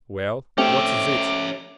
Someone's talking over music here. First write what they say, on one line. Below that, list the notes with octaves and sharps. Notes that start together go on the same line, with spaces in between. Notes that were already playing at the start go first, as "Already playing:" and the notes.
"Well, what is it?"
A3 C4 C#4 G4 E5 D6